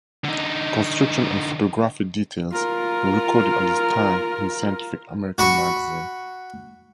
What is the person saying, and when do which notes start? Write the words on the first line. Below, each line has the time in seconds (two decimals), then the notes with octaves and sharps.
Construction and photographic details were recorded at the time in Scientific American magazine.
0.24 D3 D#4
2.52 F4 A#4
5.38 F#4 B5 C#6